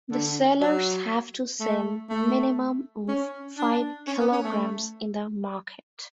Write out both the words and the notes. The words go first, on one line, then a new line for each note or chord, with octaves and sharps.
The sellers have to sell minimum of five kilograms in the market.
D3
F#3
A3
A3
C#4
D4
C#4
B3
C#4
A3